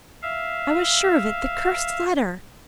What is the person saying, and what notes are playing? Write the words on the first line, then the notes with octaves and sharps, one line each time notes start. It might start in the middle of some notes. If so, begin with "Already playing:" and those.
"I was sure of it--the cursed letter!"
E5 F5